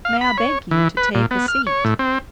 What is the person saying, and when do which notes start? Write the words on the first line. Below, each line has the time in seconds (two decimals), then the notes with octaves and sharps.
May I beg you to take a seat?'
0.05 F5
0.21 B5
0.38 C#5
0.71 E3
0.97 B4
1.15 A#2
1.31 B3
1.48 F6
1.67 C#5
1.84 A2
1.99 C4